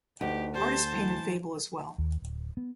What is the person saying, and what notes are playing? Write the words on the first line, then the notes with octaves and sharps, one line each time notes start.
Artists paint in fable as well.
D2 D#4 G4 B4
D4 G4 C5 A5
E3 A3
D#2
D1
B3